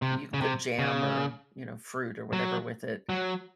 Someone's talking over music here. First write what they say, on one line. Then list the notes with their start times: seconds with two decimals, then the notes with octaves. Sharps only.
you can put jam or, you know, fruit or whatever with it,
0.02 C3
0.34 C#3
0.41 C3
0.79 C#3
2.33 F#3
3.09 F#3